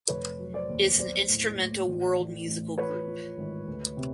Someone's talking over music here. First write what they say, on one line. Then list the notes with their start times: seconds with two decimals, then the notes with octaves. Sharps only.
It is an instrumental World musical group.
0.08 F1 B4 C#5
0.39 F#3
0.53 C5 D5
0.69 D#2
0.98 B1 C5 D5
1.28 A2
1.58 A2
1.88 A1
2.19 E3
2.48 A1
2.78 F3 B4 C#5
3.07 F3
3.38 G#1
3.67 D2
3.97 C3